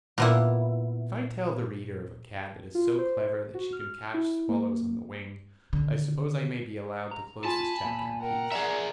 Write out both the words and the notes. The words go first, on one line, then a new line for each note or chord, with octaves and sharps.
If I tell the reader of a cat that is so clever that she can catch swallows on the wing, I suppose I may be allowed to close this chapter in peace.
A#2 B3 E4
F4
C5
F#4
F6
E4
A#3
D3 D#3
A#5
F4 G#5 A5 B5
A#2 G#5
A#4 F#5 G5
G#4 D5 E5 A#5